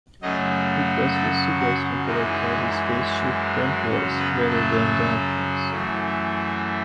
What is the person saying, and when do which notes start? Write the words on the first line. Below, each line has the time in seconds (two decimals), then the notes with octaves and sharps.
It was his suggestion that I call the spaceship "Dentless" rather than "Dauntless".
0.22 F#2 C#3 F#3 A3 D#4 D#5
1.14 A3 A4
1.59 F#3 F#4
2.05 F#2 E3 G#3 D#4
3.87 F#2 C#3 F#3 C#4
4.19 B3 B4
4.49 A3 A4
5.71 F#2 E3 A3